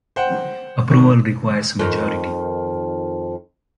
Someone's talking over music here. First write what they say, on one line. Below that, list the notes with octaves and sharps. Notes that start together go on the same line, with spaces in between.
Approval requires majority.
C5 F#5 G5
G#1 D#3 C#6
F2 D#3